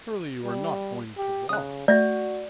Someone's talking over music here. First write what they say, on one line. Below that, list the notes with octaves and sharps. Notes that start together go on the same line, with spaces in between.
"Surely you are not going to walk?"
G3
G4
C#3 D#6 F#6
A3 F#4 D5 G#6 A#6